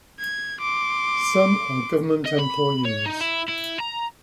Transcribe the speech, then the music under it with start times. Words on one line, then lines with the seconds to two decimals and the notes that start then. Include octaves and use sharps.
Some are government employees.
0.19 G#6
0.60 C6 D6
2.26 D#5
2.39 B5
2.85 C#5
3.06 D#4
3.21 E4
3.49 E4
3.80 A#5